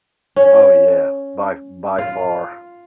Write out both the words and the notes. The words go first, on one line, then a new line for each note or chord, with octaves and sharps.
Oh, yeah. By by far.
C#4
F4